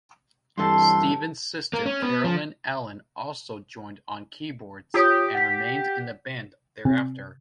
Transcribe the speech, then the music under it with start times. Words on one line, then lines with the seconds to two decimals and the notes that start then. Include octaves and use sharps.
Steven's sister Carolyn Allen also joined on keyboards, and remained in the band thereafter.
0.58 G2 E3 G4 A4 A5 C6
1.73 A#3
1.86 C#4
2.02 B3
2.24 F3
4.94 F4 G4 C#5 D#6
5.35 F#5 B6
6.85 C3